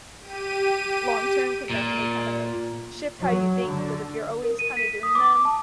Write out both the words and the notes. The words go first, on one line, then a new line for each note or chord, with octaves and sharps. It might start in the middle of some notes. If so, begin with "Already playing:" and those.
long term can definitely kinda shift how you think because if you're always kinda doing them,
G4 D#7
A#2
F#3
D3
A#4
D#7
B6
D#6
D6
A5